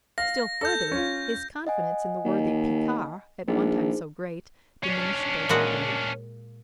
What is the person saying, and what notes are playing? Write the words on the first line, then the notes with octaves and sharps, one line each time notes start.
Still further, his confidence in the worthy Picard, at one time so great, diminished day by day.
F5 A#6
A4 G6 A#6
C#4 F4
D#5 F#5 G#5
D#2
A#1 D#4 G#4 C5
C#4 D4
A#2 G#3 F#4